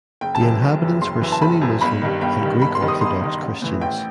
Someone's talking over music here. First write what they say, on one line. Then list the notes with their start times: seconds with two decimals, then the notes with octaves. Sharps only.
The inhabitants were Sunni Muslim and Greek Orthodox Christians.
0.21 F#1 G5
0.35 A5
0.41 F#2 E3
0.62 F#1
0.82 F#2 E3
1.01 F#1 C6
1.21 F#2 E3
1.32 A5
1.41 F#1 B5
1.61 F#2 E3
1.81 G1 B5
2.02 G2 D#3
2.21 G1 G5
2.41 G2 D#3
2.62 G1 B5
2.75 C6
2.81 G2 D#3
2.88 D#6
3.01 G1 C6
3.21 G2 D#3
3.42 A1
3.62 A2 E3
3.81 A1 G5